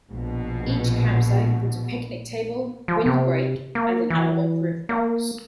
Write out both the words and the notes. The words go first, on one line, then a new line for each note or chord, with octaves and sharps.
Each campsite includes a picnic table, wind break and an animal-proof box.
A#1 B2
F3
C3
A#3
E3
A#3